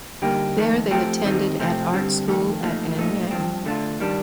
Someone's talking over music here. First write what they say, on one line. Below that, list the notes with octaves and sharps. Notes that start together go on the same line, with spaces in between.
There, they attended at Art school at Anyang.
D3 G3 A#3 D#4 G4
F2 D#3 A3
F3 A3 C4 G4
G2 D#3 G3 C4 D#4
C3 F3 A3 C4
G2 D3 G3 C4
F2 D#3 A3
A#2 F3 A3 D#4
A#2 A3 D#4
G2 F3 C4
D3 A3 D4 F4
D#3 G3 D4